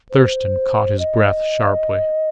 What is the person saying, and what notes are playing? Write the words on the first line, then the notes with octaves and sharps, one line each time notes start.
Thurston caught his breath sharply.
C5
D#5